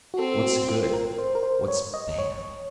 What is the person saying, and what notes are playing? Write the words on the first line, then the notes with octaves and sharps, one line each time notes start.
What's good, what's bad?
F#4
C4 A4
F#4
F4
A#4
C5
A#4
C5
C#5
D#5
C#5